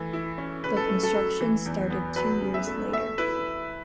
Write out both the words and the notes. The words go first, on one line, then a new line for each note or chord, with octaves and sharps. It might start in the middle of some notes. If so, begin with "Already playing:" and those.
The construction started two years later.
Already playing: E3 A3
E4
C#4
C#3 B4
A4
A3
A4
F#3
E3
E2
B3
F#3 B4
C#3
E5
A3
A3 E5
E4 B4